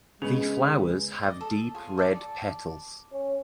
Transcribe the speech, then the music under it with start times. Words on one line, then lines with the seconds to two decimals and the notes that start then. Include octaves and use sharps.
The flowers have deep red petals.
0.22 C#3 G#3 B3 G#4 B4
1.20 D5 D#5
1.41 A4
1.75 F4 G#4 C#5
1.98 A4 D5 A5 D6
3.12 C#4